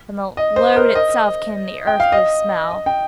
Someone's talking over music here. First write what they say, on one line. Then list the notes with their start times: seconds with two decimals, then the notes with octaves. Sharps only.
From the load itself came the earthly smell.
0.37 D#5
0.56 C5
0.76 A#4
0.95 D#5
1.87 G5
2.00 F5
2.12 D#5
2.71 D#5
2.86 G5